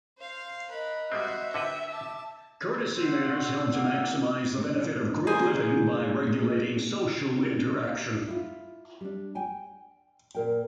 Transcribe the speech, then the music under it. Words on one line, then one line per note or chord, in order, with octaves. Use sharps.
Courtesy manners help to maximize the benefits of group living by regulating social interaction.
C5 F5
A#4 D#5 B5 F#6
G3 G#3 C4 F#4 C5 E5
D3 F#4 B4 G5
A5 D6
C4 F#5 E6
F#4
A#3 F#5
A#3 G#4 C5 G#5
E4 F4
G3 D4
G5 G#5
A#2 A#4 G5